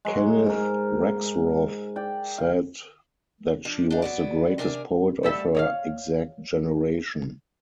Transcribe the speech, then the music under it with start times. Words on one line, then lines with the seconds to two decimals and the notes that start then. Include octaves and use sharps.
Kenneth Rexroth said that she was the greatest poet of her "exact generation".
0.05 F#3 G#3
0.46 G#2 A#4
1.96 D5 G5
2.38 F5
3.65 F3 D4
3.90 D4 D#4
4.02 F#3 B3 D5
4.58 C3 D4 A#4 G#5
5.23 G3 A4 E5
5.55 C#5 D#5 F5